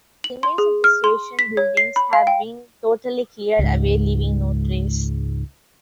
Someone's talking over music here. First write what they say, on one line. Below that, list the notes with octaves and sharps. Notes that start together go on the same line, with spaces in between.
The remains of the station buildings have been totally cleared away leaving no trace.
F#7
C6
G#4
F6
C6
B6
C#5
C7
B5
F5
G5
C#2 G#2